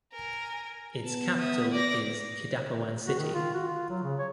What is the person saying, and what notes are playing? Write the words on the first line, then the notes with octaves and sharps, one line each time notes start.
Its capital is Kidapawan City.
A#4 G#5
B3 A5
E5 D#6
D5 A#6
F#4
D#3
F4
F#4
F4
F#3
C#3
C#5